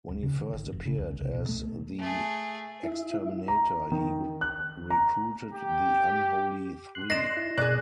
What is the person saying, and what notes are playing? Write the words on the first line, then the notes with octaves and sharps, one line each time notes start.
When he first appeared as the Exterminator, he recruited the Unholy Three.
D1
C#3
D#3
G#1
F1
C#3
C#2
C2
B2
A3
A3 G#4
E4
A#5
D#3
F#6
A#5
G4
C6 F#6
D5 D#5 A#6 C7 E7
E4
B2 G#4 D5 F#6